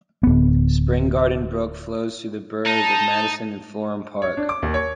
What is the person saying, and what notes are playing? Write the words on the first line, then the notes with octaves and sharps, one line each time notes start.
Spring Garden Brook flows through the boroughs of Madison and Florham Park.
D1 B3
D#4 A5
C#5
D4
D6
D#2
C#5